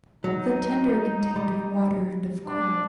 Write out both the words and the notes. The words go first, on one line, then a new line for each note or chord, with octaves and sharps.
The tender contained of water and of coal.
F#3 D#4
G3
D4